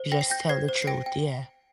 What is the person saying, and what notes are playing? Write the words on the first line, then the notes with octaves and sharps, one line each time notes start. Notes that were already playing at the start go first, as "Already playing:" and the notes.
You just tell the truth, yeah.
Already playing: C5
G5 A#6
C7
G5 G6 A#6
C5 G#6 C7
C5
C7
G5 A#6 D7
G5